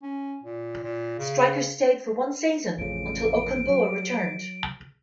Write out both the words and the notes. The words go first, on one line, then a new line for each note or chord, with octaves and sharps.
Stryker stayed for one season until Okungbowa returned.
C#4
A#2
A#2
C#3
A1 F2 C#3 D7
F#3